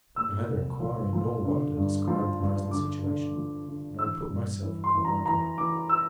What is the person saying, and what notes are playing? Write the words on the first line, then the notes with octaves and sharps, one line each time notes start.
But neither inquiry nor wonder described the present situation, and I put myself upon my guard.
A#2 E6
C2
F3
F3
D3
G2
F3
G2
D3 D6
D3
F3
D3
E3 E6
G2
E3
C6
E3
A#5
E3 A#5
E3 D6
E6